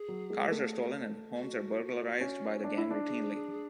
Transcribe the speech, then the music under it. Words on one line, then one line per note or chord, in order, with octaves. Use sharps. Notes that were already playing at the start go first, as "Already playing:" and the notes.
Cars are stolen and homes are burglarized by the gang routinely.
Already playing: G#4
F#3
G#3
A3
F#4
C#4
D4
E4
D4
G#4